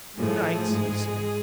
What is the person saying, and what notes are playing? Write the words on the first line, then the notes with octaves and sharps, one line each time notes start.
"Good night," he said.
A2 F3 A3 G#4
G#2 G#3